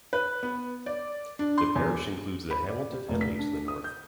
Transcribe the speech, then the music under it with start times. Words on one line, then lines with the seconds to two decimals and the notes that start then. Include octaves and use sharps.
The parish includes the hamlet of Henley to the north.
0.13 B4
0.43 B3
0.86 D5
1.39 D4
1.58 C6
1.76 E2
2.51 B5
2.68 D5
2.92 G4
3.08 F1
3.21 B6
3.39 D4
3.68 D#6
3.84 G6